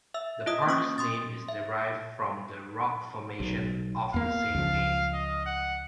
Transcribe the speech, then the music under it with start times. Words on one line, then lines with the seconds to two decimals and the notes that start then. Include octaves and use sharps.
The park's name is derived from the rock formation of the same name.
0.14 E5 E6
0.46 E4 F4 D#5 D#6
0.66 A#3 C#4 C#6 D#6
0.98 C6 D#6 A6
1.48 E5
3.40 B1
4.14 E2 A#3 F5
4.54 C#2 F3
5.14 D#5
5.46 F#5